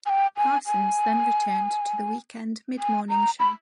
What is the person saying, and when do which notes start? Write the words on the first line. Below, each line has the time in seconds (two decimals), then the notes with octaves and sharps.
Parsons then returned to the weekend mid-morning show.
0.06 G#5
0.09 G5
0.37 G#5
0.67 G#5
2.79 G#5
3.09 A#5
3.40 B5